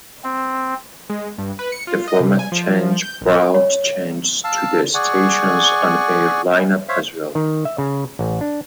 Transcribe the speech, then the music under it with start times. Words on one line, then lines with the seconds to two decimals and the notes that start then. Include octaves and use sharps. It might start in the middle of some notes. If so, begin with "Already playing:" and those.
The format change brought changes to the station's on-air lineup as well.
0.24 C4
1.10 G#3
1.38 G2
1.59 B4
1.72 C#7
1.87 F4
2.08 D#5
2.20 C3
2.39 G#5
2.52 F3
3.03 G6
3.21 A#1
3.55 C#5
4.44 F5 A5 E6
4.94 G#4 D5 F#5 G#5 C#6
6.89 C5 C#5 E5 F5
7.35 D#3
7.65 E5
7.78 C#3
8.19 A1
8.41 D4